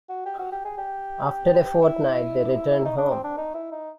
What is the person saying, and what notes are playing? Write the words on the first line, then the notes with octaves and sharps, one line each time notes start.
After a fortnight, they returned home.
F#4
G4
F#4
G4
G#4
G4
E4
D#4
D4
C4
D4
D#4
E4
D#4